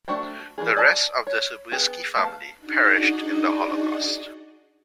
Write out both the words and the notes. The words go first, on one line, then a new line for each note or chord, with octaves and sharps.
The rest of the Soberski family perished in the Holocaust.
A3 D4 F#4 C5 G5
E3 F3 D4 G#4
D5 G#5 A5
C#5
B3 G#4 G5
A3 B3 F5 A5
D4 D#4 F#4 G#4 D5 D#5